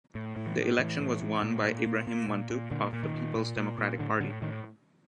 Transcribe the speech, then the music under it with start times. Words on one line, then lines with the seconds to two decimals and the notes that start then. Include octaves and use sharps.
The election was won by Ibrahim Mantu of the Peoples Democratic Party.
0.15 A2
0.36 A2
0.47 E3
0.58 A2
0.79 A2 E3
1.00 A2
1.22 A2
1.43 A#2
1.65 A#2
1.86 A#2
2.07 A#2
2.28 A#2
2.50 A#2
2.71 A#2 D3
2.93 A#2
3.03 D#3
3.14 A#2
3.35 A#2
3.57 A#2
3.78 A#2
3.99 A2 D3
4.20 A2 D3
4.42 A2 D#3